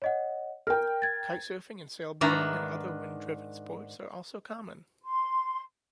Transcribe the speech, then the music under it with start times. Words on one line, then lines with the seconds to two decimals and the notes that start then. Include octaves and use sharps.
Kitesurfing and sailboarding and other wind-driven sports are also common.
0.02 C#5 D#5 F#5
0.67 A#4 G5 F6
1.02 G#6 A6
2.21 G#2 D#3 D4 B4 E5 A#5
5.04 C6